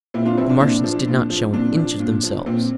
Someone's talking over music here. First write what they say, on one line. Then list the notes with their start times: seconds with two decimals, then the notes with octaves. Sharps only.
The Martians did not show an inch of themselves.
0.14 A#2 C4 E4
0.25 D4 F4
0.37 F3 C4 E4
0.49 D4
0.60 A#2 D4
0.84 F3
1.07 A#2
1.30 F3
1.53 A#2 D4
1.77 F3
2.00 A#2
2.23 F3
2.46 A#2 C4